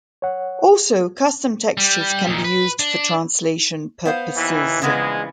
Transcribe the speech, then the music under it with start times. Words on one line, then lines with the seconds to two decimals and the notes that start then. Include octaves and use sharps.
Also custom textures can be used for translation purposes.
0.22 C#5 F#5
1.77 G3
2.28 A#2 D#3
2.44 B4
2.79 D4
4.05 B3 C5 F5
4.36 D#2 E3
4.82 A#1 C#3 E3 G#3 B3